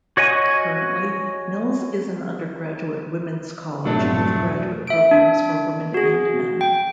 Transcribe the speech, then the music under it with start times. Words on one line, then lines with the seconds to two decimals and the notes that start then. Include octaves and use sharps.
Currently, Mills is an undergraduate women's college with graduate programs for women and men.
0.17 F#4 C#5 D#5 G#5
3.85 F1 G#2 B2 F#3 A3 D4
4.87 E5 D7
5.11 D4
5.94 F#4 G#4
6.61 G5